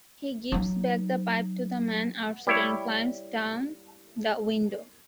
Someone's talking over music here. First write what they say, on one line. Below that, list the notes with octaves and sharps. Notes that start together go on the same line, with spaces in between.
He gives back the pipe to the man outside and climbs down the window.
F#3 D#4
G3 E4 C#5